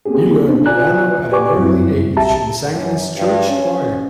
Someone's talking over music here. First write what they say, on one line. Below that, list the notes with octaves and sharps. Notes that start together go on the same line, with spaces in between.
He learned piano at an early age and sang in his church choir.
A#3 C4 C#4 G4 G#4
B3 D4 D#4 C5
F4 D5 G#5 A#5 F#6
G4 B4 D5 G#5 C#6 D6
F#2 G3 C4 E4
C2 G4 E5 A5 A#5
F#2
G2
C#4